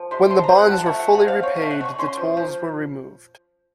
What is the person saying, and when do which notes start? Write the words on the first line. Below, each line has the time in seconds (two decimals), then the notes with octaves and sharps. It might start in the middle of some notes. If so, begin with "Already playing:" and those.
When the bonds were fully repaid, the tolls were removed.
Already playing: F3
0.11 C3 C6
0.30 F3 C6
0.39 A5
0.44 A#5
0.49 C4
0.58 F#5
0.67 F3 A5
0.86 A3 F#5
1.00 F#5
1.05 A3
1.15 F#5
1.24 C4 F5
1.43 C4 C#5
1.56 D#5
1.62 A3
1.71 F#5
1.81 A3
1.85 C#6
1.98 C#4 C6
2.17 F3
2.37 F3